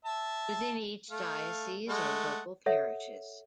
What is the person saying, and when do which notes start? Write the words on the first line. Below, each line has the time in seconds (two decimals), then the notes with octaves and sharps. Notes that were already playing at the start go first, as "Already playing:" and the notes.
Within each diocese are local parishes.
0.05 E5 A5
1.11 A3 F5
1.89 G#3 A3 F#5
2.66 A4 C#5 E5 F#5